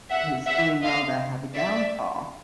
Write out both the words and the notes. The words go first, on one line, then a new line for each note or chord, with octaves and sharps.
who's doing well to have a downfall."
E5 F#5
E5 F#5
D#5 F5
D5 E5